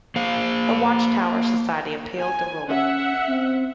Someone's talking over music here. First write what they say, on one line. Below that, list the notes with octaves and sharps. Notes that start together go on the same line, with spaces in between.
The Watch Tower Society appealed the ruling.
A#3 C5 F5
G#5 G#6
C#4 E5 F#5
C4